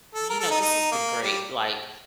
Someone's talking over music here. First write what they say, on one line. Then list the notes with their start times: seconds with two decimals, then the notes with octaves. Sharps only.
you know, this has been great, like,
0.14 A4
0.30 A#4
0.40 A4
0.51 D#4
0.61 D#4
0.92 A#3
1.22 G3